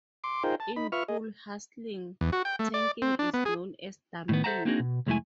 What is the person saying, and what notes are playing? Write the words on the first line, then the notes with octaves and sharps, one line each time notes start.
In pool hustling, tanking is known as dumping.
C6 D6
D#4 F4 G#4 A#4 C5 G5
A5
D#4 B5
F4 B4 E5 C#6 F6
G#4 D#5
E2
F#4
G5
A3
D5
C4
D4
B3
G#4
A2 D#3 B3
A4 C5 E5 F#5 A5 A#5
A#3 C4 D4 D#4 F#4 G#4
B2
C2 F2 G#3 A3 E4 G#5